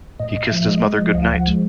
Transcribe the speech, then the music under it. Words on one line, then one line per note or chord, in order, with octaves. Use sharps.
He kissed his mother good-night.
A2 D#5
A2
E5
F3
G#3 D#5
G#3
F3
D2 F5
F3 F#5
G#3